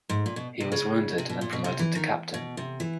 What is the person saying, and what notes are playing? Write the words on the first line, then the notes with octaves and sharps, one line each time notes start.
He was wounded and promoted to captain.
G#2
A#2
B2
C3
C#3
C3
B2
A#2
B2
C3
E3
D#3
B2
C3
E3